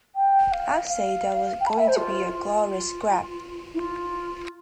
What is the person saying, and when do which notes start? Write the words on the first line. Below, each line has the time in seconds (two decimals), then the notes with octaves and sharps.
I'd say there was going to be a glorious scrap.
0.15 G5
0.52 F5
0.88 F5
1.60 G5
1.66 B5
1.69 A5
1.78 E5
1.88 C5
1.97 F4
2.33 F4
3.74 E4
3.79 F4